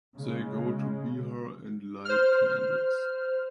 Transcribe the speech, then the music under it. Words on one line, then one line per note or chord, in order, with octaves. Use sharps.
They go to Bihar and light candles.
C#3 G#3
C5 F6